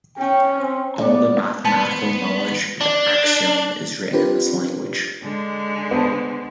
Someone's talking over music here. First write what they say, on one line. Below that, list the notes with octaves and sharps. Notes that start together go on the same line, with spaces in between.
All the mathematical knowledge of Axiom is written in this language.
C#4 G5
C4
B3 D5
B3 C5 A5
D4
C4 D4 F4 G4 A#4 B4
D3 G#3
B3 C5 A5